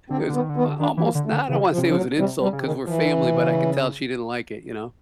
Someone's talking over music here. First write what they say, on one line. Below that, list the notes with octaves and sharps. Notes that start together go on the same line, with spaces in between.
is my almost, and I don't wanna say it was an insult 'cause we're family, but I could tell she didn't like it, you know.
D3 C4
D#3
D3 B3
D#3
D3
D#3 B3
D3
D#3 D4
E3
A#3
D3
A3
D3
C#3 E3
F3
C3
C#3 F3
F#3
C3 G3
G3
C#3
C3
D#3
C#3
E3 F3
D3
C3
C3
C#3